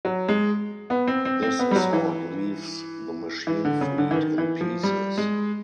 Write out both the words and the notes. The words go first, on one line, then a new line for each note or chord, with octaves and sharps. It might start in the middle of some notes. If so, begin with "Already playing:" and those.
This assault leaves the machine fleet in pieces.
F#3
G#3
B3
C4
C4
C4
B3
G3
F#3
E3
E3
D3
C#3
D3
E3
D#3
E3
F3
G3
G#3